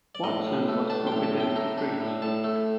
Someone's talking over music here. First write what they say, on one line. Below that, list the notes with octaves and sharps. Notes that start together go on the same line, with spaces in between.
Watson was forbidden to preach.
D5
A2 D#5
A2
A3
D4 A5
G5
A2
A5
A2
G5
A3 A#5
D4
A2
A2 A5
A3